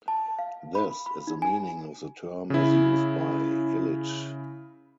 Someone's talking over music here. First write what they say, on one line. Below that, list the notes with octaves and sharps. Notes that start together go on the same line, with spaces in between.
This is the meaning of the term as used by Illich.
A5
F5
B5
B5
D#4
G#5
C#3 E4